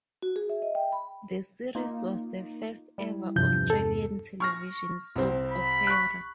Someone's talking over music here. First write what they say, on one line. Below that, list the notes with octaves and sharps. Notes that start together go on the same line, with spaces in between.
The series was the first ever Australian television soap opera.
F#4
G#4
E5
D#5
G5
B5
A#3 D#4 F4
G3 E4
E2 G2 C3 F3 G6
A4
C#6 F6 A#6
C2 C4
B5
C#6 F#6